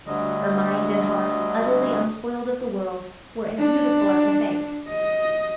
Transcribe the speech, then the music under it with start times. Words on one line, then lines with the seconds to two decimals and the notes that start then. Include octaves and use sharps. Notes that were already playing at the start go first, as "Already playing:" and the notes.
Her mind and heart, utterly unspoiled of the world, were as beautiful as her face.
0.07 D2 D3 F#3 G3 D#5
3.58 D4
4.89 D#5